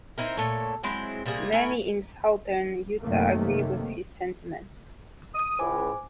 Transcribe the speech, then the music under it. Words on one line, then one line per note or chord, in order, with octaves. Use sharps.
Many in Southern Utah agree with his sentiments.
C4 D#4 E4 A#4
A#2 A3 A4 C#5
F#3 G#3 C4 E4
C3 G3 A#3 G#4
A3 E4 A#4 G#5
F#2 C3 D#3 A3 A#3
D#6
C#2 A2 C5 G#5 D6